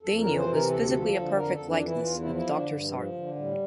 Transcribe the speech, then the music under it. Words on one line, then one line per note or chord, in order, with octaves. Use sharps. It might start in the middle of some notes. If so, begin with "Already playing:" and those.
Daneel is physically a perfect likeness of Doctor Sarton.
F2 A4
A#4
E3
C5
C3
A#4
D2 A4
F3
D3
F2 A#4
A4
F2
D4
E3
E4
E2 F4
E4
F3
E4
D3
D4
G2
F3
D3
A2 G3